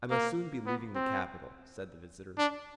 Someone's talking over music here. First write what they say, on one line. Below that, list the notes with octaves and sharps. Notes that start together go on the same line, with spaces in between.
"I must soon be leaving the capital," said the visitor.
A#3
B3
C4
D4